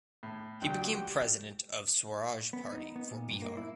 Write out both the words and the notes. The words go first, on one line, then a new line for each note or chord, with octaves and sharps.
He became President of Swaraj Party for Bihar.
A2
C#2 F#3 D4 F#4 G4 G5
B3
D#4
B3
A#2
G2
A#3
E4